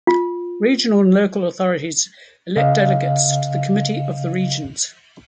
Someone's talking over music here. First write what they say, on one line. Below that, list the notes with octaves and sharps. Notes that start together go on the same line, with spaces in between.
Regional and local authorities elect delegates to the Committee of the Regions.
F4
C#3 D#5 F5